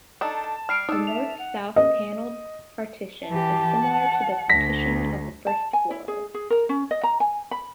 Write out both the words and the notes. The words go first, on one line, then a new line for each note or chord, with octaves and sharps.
The north-south paneled partition is similar to the partition of the first floor.
D4 D#4 A4 A5
G3 F6 C7 D7
D4 D#4 A4 E6
E5 F7
F#5
D#5
E3 G4 A5
F#5
D2 A#6 B6
A5
G#5
E4
G#4
G#4
A#4
C#4
D#5
A#5
G#5
B5